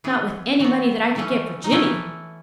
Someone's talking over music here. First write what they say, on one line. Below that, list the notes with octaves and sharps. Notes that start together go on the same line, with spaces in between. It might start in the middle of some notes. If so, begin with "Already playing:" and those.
"Not with any money that I could get for Jinny."
E3 B3 G#4
E3 B3 F#4
E3 A3 C#4
D#4
E3 A3 C#4 E4